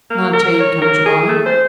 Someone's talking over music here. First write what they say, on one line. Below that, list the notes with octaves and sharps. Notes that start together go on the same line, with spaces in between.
'Nineteen, come July.'
A#3
A#4
C#5
A#4
G#4
A3
C5